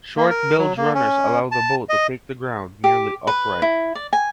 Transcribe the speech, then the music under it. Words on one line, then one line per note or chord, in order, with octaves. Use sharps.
Short bilge runners allow the boat to take the ground nearly upright.
A#3
A#4
F#3
A#3
C#4
A5
D#5
G4
B4
E4
D5
G#5